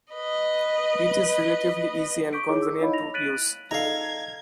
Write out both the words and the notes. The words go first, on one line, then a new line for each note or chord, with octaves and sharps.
It is relatively easy and convenient to use.
B4 D#5
C#6 D6 G6 B6 D7
D#4 E4 G#4 C#5 D6
E6
D#4 E4 C#5 D#5 F5 B5
A#6 F7
F#6 A6 B6 D7 D#7 F#7
D#4 A4 D5 F5 A#5 G#6